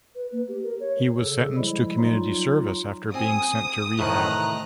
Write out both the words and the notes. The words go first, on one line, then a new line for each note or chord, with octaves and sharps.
He was sentenced to community service after being sent to rehab.
B4
A#3
G4
A#4
C#5
C#3 A4
F3 G3 G#3 E4
F#3 D#4 F4
C4 G#5 D#6
A2 C3 D#3 E3 A#5 F#6